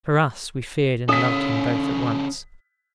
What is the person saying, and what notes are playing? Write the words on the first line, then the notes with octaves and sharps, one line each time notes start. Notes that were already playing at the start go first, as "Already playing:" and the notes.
For us, we feared and loved him both at once.
C#3 C#4 A4 D#6 B6